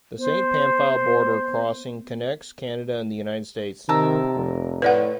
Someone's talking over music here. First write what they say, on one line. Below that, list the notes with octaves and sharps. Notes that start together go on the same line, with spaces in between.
The Saint Pamphile Border Crossing connects Canada and the United States.
B3 C5
C3 D#3 A#4 A5 E6
F1
A2 B4 D5 F#5